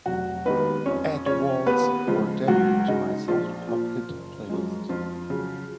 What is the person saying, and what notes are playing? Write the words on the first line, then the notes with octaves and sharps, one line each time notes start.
Add Waltz for Debby to my Soft Pop Hits playlist.
F1 F#3 F#4
D#2 D#3 G#3 B3 B4
F2 C#4 C#5
C#3 F3 C#4 C#5
D#2 B3 B4
C#3 F3 G#3
C#2 F#3 F#4
C#3 G#3 D#4
A#1 F3 F4
A#2 F3
F#1
F#2 F3 G#3
F2 F3 F4
C#3 F#3